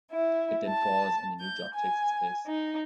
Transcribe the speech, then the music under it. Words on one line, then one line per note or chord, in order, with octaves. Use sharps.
It then falls and a new drop takes its place.
E4
A5
G6
G#5
D#4